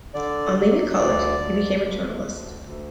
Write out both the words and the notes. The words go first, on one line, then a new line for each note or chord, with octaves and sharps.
On leaving college, he became a journalist.
D3 D5
F#3
D2 D5
D2
D2
D2
D2